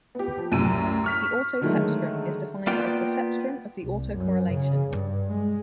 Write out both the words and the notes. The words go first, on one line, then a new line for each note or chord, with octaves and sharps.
The autocepstrum is defined as the cepstrum of the autocorrelation.
B3 G4
F3
C2 F#2 A2 E6 D#7
C#6 F6 B6
D3 D#3 F#3 G#3 A3
A#3 B3 F4 D5 G5
C2
F#2
C#3
G2
G#3